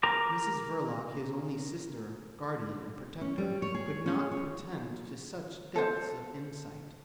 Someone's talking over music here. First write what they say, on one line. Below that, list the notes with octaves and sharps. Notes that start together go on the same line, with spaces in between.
Mrs Verloc, his only sister, guardian, and protector, could not pretend to such depths of insight.
A#4 A#5 D6
C#4
G3
C#5
G#4
C#4
C#5
A4 C5